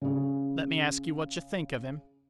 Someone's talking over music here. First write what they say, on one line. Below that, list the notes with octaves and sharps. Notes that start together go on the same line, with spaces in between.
Let me ask you what you think of him?'
C#3 G#4